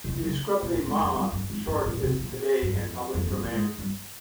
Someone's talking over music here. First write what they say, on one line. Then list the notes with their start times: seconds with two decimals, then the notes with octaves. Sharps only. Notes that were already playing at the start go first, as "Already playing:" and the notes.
The "Scrub Me Mama" short is today in the public domain.
0.04 C3
0.09 C#3
0.22 D#3
0.27 C#3
0.62 A#2
0.75 A#2
0.88 G#2
1.02 F2
1.15 G2
1.32 G2
1.50 G#2
1.68 G#2
1.86 A#2
2.03 C3
2.21 A#2
2.62 G2
2.73 F2
3.14 F2
3.26 G2
3.44 A#2
3.52 G#2
3.78 G2